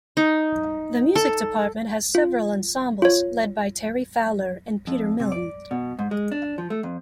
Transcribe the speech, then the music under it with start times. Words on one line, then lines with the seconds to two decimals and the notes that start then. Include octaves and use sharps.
The music department has several ensembles led by Teri Fowler, and Peter Milne.
0.17 D#4
1.16 A4
2.15 F4
3.02 F4 C#5
4.87 F2
5.20 C3
5.32 D5
5.71 B2
5.99 G#2
6.11 G#3
6.32 D4
6.58 F3
6.70 A3
6.83 F2